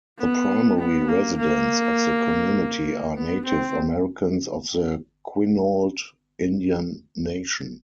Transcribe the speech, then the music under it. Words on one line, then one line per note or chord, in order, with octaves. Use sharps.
The primary residents of the community are Native Americans of the Quinault Indian Nation.
B3
B3
A#3
A#3
B3
C4